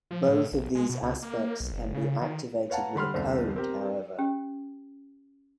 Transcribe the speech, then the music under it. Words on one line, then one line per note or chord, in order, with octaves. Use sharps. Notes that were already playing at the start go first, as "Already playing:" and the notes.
Both of these aspects can be activated with a code, however.
F3
A2
A#1
G#3
B2
C#2
A#3
B1
F#1
C#3
D#3
B4 C#5 F5 F#5 A5 A#5
D3 G3 B5 C6 F6
E1 C2 D3 C5
C4 G4 A#4
C#4 G4